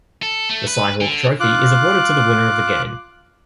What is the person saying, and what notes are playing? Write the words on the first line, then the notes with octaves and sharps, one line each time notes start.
The Cy-Hawk Trophy is awarded to the winner of the game.
A4
A3
B4
D3
F4 D6 F#6